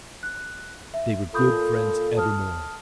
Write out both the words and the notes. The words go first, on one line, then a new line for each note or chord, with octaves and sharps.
They were good friends evermore.
F#6
E5
A#2 F4 A4 B5 D#6 G6
A5 D#6 F6